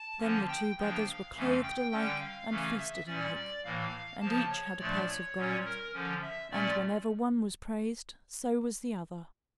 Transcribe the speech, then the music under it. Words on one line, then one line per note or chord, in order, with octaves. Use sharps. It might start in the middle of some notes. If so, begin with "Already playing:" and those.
Then the two brothers were clothed alike and feasted alike, and each had a purse of gold; and whenever one was praised, so was the other.
Already playing: A5
D3 F3 A#3 C#4
G5
C#3 F3 A#3 D4 G5
F5
F2 C#3 E3 A3 C#4 F5
G5
D3 G3 C#4 G5
F5
C#3 E3 A3 C#4
E5
A#2 G3 C#4 D5
D5
A2 E3 A#3 F5
C#3 F3 A#3 A5
C#5
A#2 F3 A3 D4 D5
C#5
A#2 G3 C#4
A#4
D3 F3 C#4
E5
A#2 A3 C#4 D5